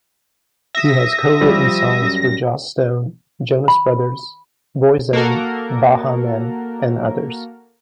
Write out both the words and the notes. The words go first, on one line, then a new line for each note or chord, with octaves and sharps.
He has co-written songs for Joss Stone, Jonas Brothers, Boyzone, Baha Men and others.
E5 D#6 A#6
F3 G3 D5
F#2
B5
A#3 F#4 A4 A#4